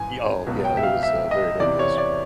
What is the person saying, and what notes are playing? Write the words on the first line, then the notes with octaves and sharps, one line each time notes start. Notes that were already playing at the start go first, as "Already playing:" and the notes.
Y oh, yeah, it was, uh, very dangerous.
Already playing: G#2 E3 G#5
C#2 B2 F#3
G5
E5
F5
E5
D#5
E2 C3 E3 D5
C#5
D5